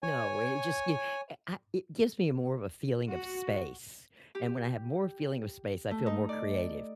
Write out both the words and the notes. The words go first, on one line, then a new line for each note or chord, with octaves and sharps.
No, and it just gi a I it gives me more of a feeling of space, and when I have more feeling of space, I feel more creative.
C#5 G#5
F#4
G4
A3
D#4
D5